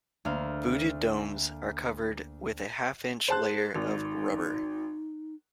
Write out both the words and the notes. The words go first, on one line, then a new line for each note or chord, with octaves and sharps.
Booted domes are covered with a half-inch layer of rubber.
D2 A#3 F5
G#4 C5 A5 F#6
G#1 D#4